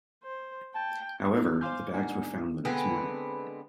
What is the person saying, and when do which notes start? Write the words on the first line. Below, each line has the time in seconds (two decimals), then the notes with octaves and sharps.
However, the bags were found the next morning.
0.23 C5
0.75 G5 A5
1.36 D#4
1.61 C5 F5 G#5 C6 D6 F6 G6
1.94 A#3 D4 D#4 F#5 G#5
2.65 D3 G#3 B3 C4